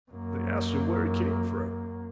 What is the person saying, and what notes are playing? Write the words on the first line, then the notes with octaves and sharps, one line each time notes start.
They asked him where he came from.
F#2 A#3